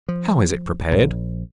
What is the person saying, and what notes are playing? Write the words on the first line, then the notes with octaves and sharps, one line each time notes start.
How is it prepared?
F3
A#1